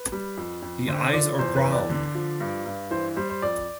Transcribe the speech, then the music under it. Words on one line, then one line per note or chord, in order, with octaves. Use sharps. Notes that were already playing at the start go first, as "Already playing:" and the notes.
The eyes are brown!
Already playing: B4
G3
F2
F2
D3 C5
F3 D5
E2 C5
B4
E2
D5
D3
F3
G2
G2
E3 C5
G3 C5
C5
F2 D5